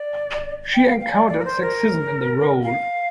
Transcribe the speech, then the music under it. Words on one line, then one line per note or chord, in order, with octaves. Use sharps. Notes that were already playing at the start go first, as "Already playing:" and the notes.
She encountered sexism in the role.
Already playing: D5
G5
F5
F5
D5
D5
A#4
C5
A#4
F5